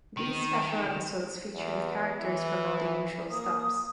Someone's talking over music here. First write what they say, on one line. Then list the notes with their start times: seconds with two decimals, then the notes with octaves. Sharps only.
These special episodes featured characters from all the usual stops.
0.17 D#3
1.54 E2
2.18 E3
3.30 A#3 D#6